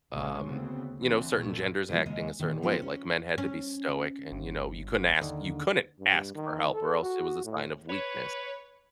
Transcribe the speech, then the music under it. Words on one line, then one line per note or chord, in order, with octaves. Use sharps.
um, you know, certain genders acting a certain way. Like, men had to be stoic and, you know, you couldn't ask you couldn't ask for help or else it was a sign of weakness.
A#1 C#3 G#3 C#4
D2 C#3 B3 C4
D3 E3 C4
C2 A#2 A3
B2 D3 F3 G#3
D#2 C#3 G#3 C#4 D#5
A#2 D#3
F3 B3 C4 F4 C5
C#4
C#4
G1
D#2 D3
G2
D#3
A4
F#4
A2
B4 C#5